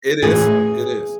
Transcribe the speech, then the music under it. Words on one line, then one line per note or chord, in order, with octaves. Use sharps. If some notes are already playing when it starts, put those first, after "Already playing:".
It is, it is.
A2 E3 G#4